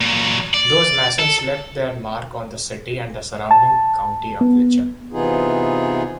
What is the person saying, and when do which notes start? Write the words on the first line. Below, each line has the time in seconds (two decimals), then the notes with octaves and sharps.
Those masons left their mark on the city and the surrounding county of Letcher.
0.01 A#2 F#3
0.54 D5
1.19 A4
3.51 A5
4.41 B3
5.12 C3 E3 B3 D#4 F4 G#4